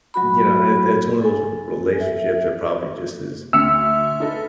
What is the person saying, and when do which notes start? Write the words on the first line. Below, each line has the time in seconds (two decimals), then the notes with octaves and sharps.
you know, it that's one of those r relationships that probably just is
0.14 F#3 F#4 B5
1.22 A4 G#5
2.00 E5
3.53 D2 E5 E6 F6 C#7
4.20 D#4 A4 B4